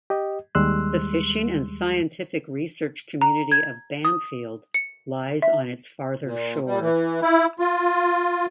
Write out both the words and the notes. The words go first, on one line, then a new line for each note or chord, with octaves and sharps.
The fishing and scientific research community of Bamfield lies on its farther shore.
G4 D#5
D#2 G3 G#3 C6 E6 F#6
A#5
G#6
D#6
C#7
E5
A#2
G3
E3
E4
F4